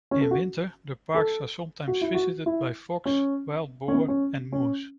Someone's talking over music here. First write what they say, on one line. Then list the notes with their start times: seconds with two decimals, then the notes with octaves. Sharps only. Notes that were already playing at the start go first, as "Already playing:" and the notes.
In winter, the parks are sometimes visited by fox, wild boar and moose.
0.11 C#4
0.21 A4
0.31 F#4
1.15 A4
1.88 F#4
2.01 E4
2.14 F#4
2.46 E4
3.06 C#4
3.88 C#4
3.94 B3
4.08 C#4
4.52 C#4